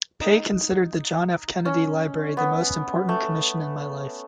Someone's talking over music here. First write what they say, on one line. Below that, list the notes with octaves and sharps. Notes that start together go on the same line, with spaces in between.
Pei considered the John F. Kennedy Library the most important commission in my life.
D#4
C#4
B3
A3